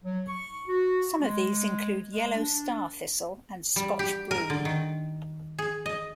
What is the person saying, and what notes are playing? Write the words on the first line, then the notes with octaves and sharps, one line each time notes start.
Some of these include yellow starthistle and scotch broom.
F#3
C#6
F#4
G#3
G#3
D4
G3
G4
A#4
D3
D#3
G#4
D#5